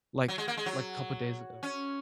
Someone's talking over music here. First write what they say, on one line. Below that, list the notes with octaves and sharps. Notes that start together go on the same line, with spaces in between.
like like, couple days ago.
F#3
G#3
A#3
G#3
F#3
C#4